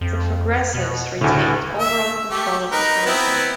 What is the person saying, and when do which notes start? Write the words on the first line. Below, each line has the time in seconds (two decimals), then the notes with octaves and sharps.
The Progressives retained overall control of the council.
0.01 F2
0.74 B2
1.21 D2 A2 C#3
1.79 E5
2.30 A3 G4
2.72 D#4 A#4 B4
3.06 B3 C4 E4